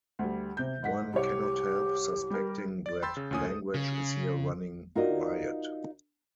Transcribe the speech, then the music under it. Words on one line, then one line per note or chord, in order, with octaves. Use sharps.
One cannot help suspecting that language is here running riot.
D2 G3
C3 G6
G#2 F#5 B6
C2 G4 C#5
G3 A#4
D5 A6
G5 B5 C6 E6 G6 A6
C#3
D2 A#2 C#4 G#5 D#6
A4
C#3
D#4 F4 F#4 A#4 D5 D#5